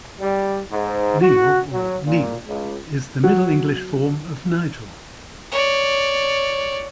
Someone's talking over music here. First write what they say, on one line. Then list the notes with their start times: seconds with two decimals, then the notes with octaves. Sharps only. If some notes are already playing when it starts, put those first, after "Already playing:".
"Neal" or "Neall" is the Middle English form of "Nigel".
0.20 G3
0.71 G#2
1.21 F#4
1.73 F#3
2.06 A#2
2.48 C#2
3.24 F#3
5.51 C#5 D5